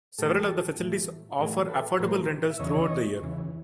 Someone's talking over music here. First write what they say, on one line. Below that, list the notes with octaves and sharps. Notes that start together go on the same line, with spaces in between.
Several of the facilities offer affordable rentals throughout the year.
A2 E3 G4 A4
A2 E3
A2 E3 G#4 A#4
A4 B4
A2 E3 A#4 C5
E5
E2 C#3 E3 C#5 D#5
E2 C#3 E3